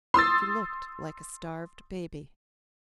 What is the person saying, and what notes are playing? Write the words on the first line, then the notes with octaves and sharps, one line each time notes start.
She looked like a starved baby.
C6 D#6 E6 A6